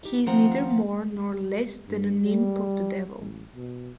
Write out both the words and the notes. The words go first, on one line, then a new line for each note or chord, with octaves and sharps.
He is neither more nor less than an imp of the devil.
D#4 G4
D#3 F3 C4 F4 F#5 A#5
G2
G3
A1
B2